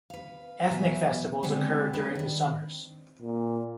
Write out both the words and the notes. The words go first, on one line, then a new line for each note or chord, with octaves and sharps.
Ethnic festivals occurred during the summers.
B4 F5
E2 B2 F#3 B4 E5 G#5
D3 G3 G#3 B3 C4
G#3 D4 B4
D#3 D4
A#2